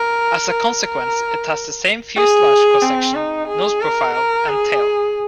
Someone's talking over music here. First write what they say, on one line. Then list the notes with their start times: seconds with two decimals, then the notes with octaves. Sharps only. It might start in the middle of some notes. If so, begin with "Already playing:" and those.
As a consequence, it has the same fuselage cross-section, nose profile, and tail.
Already playing: A#4
0.51 A#4
0.84 A#4
2.16 G#4
2.82 C4
3.15 D#4
3.48 G#4
3.81 A#4
4.14 A#4
4.47 G#4